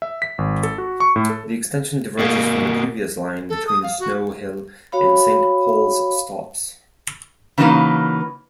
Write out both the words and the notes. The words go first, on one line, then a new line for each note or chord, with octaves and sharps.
The extension diverges from the previous line between Snow Hill and Saint Paul's stops.
E5
B6
G#1
A4
F#4
C#6
A2
A4
B2 A#3
A4
D#6
F5
F#4
F#4 C#5 F5 B5
C#3 E3 F#3 A#3 D#4 B4